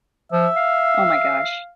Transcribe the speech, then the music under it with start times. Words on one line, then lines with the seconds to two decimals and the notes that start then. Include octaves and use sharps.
Oh my gosh.
0.32 F3 E5
0.57 F5